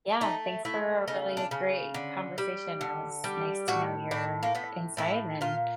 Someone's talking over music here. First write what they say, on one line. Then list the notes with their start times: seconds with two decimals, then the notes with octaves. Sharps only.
Yeah, thanks for a really great conversation, it was nice to know your insight, and
0.21 A3 D#4
0.65 A3 E4
1.08 C#3 D#4
1.37 D4
1.51 C#3
1.94 D3
2.38 G3
2.81 D3
3.24 G3
3.68 A2 F#4
4.11 A2 D4
4.43 A#3
4.55 A2 B3
4.97 A2 E4
5.41 A#2 F4